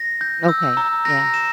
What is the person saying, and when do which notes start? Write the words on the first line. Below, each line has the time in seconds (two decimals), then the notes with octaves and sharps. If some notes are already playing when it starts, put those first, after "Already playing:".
Okay, yeah.
Already playing: A#6
0.21 G6
0.48 E6
0.77 A#5
1.05 A#6
1.34 E7